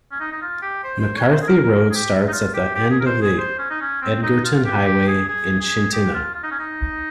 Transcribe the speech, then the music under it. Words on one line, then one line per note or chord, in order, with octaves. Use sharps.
McCarthy Road starts at the end of the Edgerton Highway in Chitina.
C#4
D#4
D#4
F4
G4
C5
C5
C#5
C5
G#4
A#4
A#4
A#4
G#4
G4
D#4
F4
G4
G4
G#4
A#4
C5
G#4
C5
C#4
D#4
C#4
C4
D#4
F4
G4
G4
G#4
G#4
G#4
G4
F4
F4
D#4
C#4
D#4